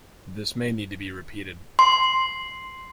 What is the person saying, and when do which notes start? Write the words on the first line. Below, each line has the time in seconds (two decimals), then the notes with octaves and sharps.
This may need to be repeated.
1.79 C6